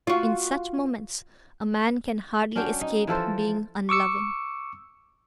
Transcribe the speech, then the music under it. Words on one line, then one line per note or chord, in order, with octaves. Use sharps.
In such moments a man can hardly escape being unloving.
F4 F#4
C#4 D4 F#4 G5
D#4
E3 F3 A4 C5
C#6 D6 E6 C#7